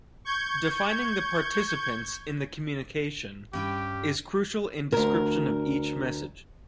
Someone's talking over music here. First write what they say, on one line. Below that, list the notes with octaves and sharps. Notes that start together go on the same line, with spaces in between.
Defining the participants in the communication is crucial in description of each message.
C#6 G6 G#6
G2 C#4 G4 G5
D2 A#4